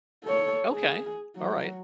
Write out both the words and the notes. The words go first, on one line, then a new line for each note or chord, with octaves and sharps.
Okay. Alright.
A4 C#5
G#4
F#3